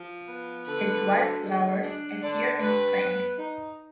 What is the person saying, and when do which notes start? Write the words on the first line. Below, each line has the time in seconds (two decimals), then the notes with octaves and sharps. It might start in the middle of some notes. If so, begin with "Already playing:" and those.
Its white flowers appear in spring.
Already playing: F3
0.27 B3
0.66 D3 B4
1.05 D2
1.45 G#3
1.83 D4
2.22 D3 D5
2.61 G2 B4
3.00 B3
3.39 D#4